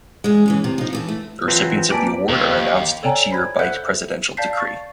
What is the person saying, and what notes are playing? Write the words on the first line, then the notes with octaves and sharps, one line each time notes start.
The recipients of the award are announced each year by presidential decree.
E2 G#3
E3 G#3 C#4
C3
F3 D#4
E3 G#4 A4
A3
E3 F#3 C4 F4 B4
A#3 G4 B4 D5 G#5 A5
D#2
A4 C#5 D5 G5 G#5 A#5
C5 B5 G#6
A4 C5 E5 F#5 F#6 G6
D5 F5 A5 G6 B6 C7
C#6 A6